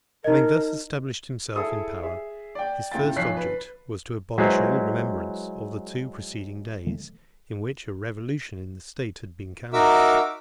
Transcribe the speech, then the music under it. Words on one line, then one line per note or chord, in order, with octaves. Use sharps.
Having thus established himself in power, his first object was to abolish all remembrance of the two preceding days, in which a revolution in the state had been canvassed.
D#4 A#4 D#5
E4 G#4 A4 D#6
G#4 E5
D5 G5
C#2 A2 G5 A6
B1 F3 C#5 F#6 B6 C7
B4
F#3 G#3 E4 B4 C5
D#4 F#4 A#4 E5 D6 E6